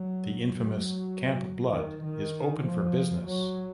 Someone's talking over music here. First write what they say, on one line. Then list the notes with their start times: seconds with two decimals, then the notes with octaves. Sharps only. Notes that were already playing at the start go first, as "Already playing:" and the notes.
The infamous Camp Blood is open for business!
Already playing: F#3
0.44 F#3
1.70 D#3
2.02 D#3
2.64 F3
3.26 F#3